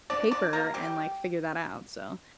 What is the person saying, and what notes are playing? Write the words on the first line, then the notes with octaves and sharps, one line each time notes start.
paper and, like, figure that out." So
D4 D5
D4 D5
A#3 A#4
G3 G4